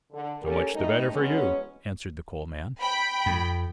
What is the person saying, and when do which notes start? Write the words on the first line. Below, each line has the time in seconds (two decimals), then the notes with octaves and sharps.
"So much the better for you!" answered the Coal Man.
0.11 D3
0.43 A#3 C#4 G4 A4 A#4
0.74 G3 A3 D#4
1.12 E3 F#3 G#3 B3 C#4
2.79 G5 B5
3.26 F2